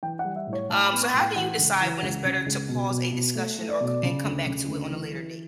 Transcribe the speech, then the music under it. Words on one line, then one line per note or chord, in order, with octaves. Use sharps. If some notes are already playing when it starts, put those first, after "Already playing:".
Um, so how do you decide when it's better to pause a discussion, or c and come back to it on a later date?
E3 G5
F#5
G3
E5
A2
C#5
A2 A5
B5
B3
C#6
A2
G5
E3 F#5
C#2
E3
C#2
C#3
C#2
B2
B2
B2
A3
A3
D5
B2 D5
C#3
D2
C#3
D2
E3
E3